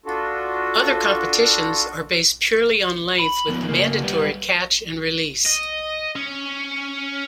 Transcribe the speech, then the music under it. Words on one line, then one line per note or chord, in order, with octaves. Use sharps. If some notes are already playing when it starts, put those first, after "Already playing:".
Other competitions are based purely on length with mandatory catch and release.
D4 F4 F#4 A4
B5
F3 B3
C#3 A#3
G3 B3
D#5
C#4